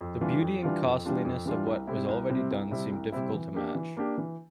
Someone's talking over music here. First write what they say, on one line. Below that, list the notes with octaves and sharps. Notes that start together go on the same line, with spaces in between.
The beauty and costliness of what was already done seemed difficult to match.
F2
E3 G3 D4 F4
F2
E3 G3 D4 F4
F2
E3 G3 D4 F4
F2
E3 G3 D4 F4
C2
C3 G3 C4 E4
C2
C3 G3 C4 E4
C2
C3 G3 C4 E4
C2
C3 G3 C4 E4
E3
A#3 D4 G4
E3
A#3 D4 G4
E3